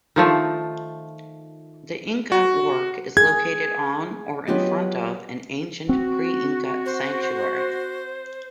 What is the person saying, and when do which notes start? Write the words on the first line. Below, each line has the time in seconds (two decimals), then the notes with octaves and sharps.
The Inca work is located on, or in front of, an ancient pre-Inca sanctuary.
0.16 D#3 F3 A3
2.32 F#4
3.17 G#4 G#6
4.47 F#3 B3 F4 G4 G#4 D#5
5.89 C4 F#4
6.86 C5